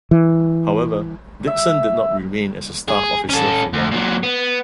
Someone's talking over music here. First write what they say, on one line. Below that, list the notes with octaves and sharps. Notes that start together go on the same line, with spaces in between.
However, Dickson did not remain as a staff officer for long.
E3
E5
G#4
C#4 A4
D2
A#2 F#3
B3